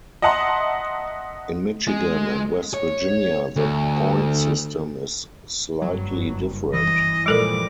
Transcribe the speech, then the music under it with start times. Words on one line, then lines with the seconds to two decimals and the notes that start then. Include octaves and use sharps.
In Michigan and West Virginia, the point system is slightly different.
0.22 D#5 E5 F#5 A5 A#5 C6
1.88 G#3
2.74 C#5
3.56 D2
5.82 F#1 G2 F#3
6.73 E3 D#5
7.26 A#2 F3 G3 G#3 A4 A#4 D6